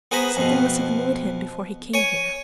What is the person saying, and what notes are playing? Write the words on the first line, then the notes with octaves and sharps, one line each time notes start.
Something must have annoyed him before he came here.'
B3 G#4 C5 A#5 B5
F2 B2
C#5 G#5